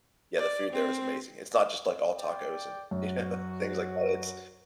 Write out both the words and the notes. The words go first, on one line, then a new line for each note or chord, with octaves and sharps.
yeah the food there is amazing, it's not just, like, all tacos and, you know, things like that, it's,
D5
C4
D5 G5
F#2 F#4